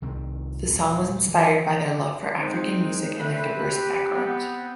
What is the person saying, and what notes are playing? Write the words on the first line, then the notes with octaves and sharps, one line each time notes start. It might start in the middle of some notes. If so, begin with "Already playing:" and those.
The song was inspired by their love for African music and their diverse backgrounds.
C2 D#3 C4
D#1
E3
G#3 C4 D#4
A3 C4 B4
G4
B3 C4